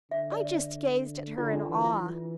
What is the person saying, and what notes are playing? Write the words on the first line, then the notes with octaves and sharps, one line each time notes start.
I just gazed at her in awe.
D3 E5
D5
D3 F4
D4
E3
F4
E3